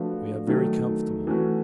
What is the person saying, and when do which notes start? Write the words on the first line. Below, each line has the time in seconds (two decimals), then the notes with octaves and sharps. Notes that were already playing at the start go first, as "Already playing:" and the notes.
We are very comfortable.
Already playing: F3 A3 D4 F#4 B4
0.47 D#3 F#3 A3
1.27 E3 A3 C#4 F#4